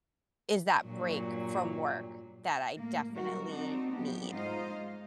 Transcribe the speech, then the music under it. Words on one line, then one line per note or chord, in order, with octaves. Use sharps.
is that break from work that I definitely need.
G2 A#2 F#3
A2 A#3
F#3 G3 F#4 A#4
C4 D4 D#4 F#4
F3 F#3 B3 G4
G#2 D#4 F4 C5 D#5 F5
G#3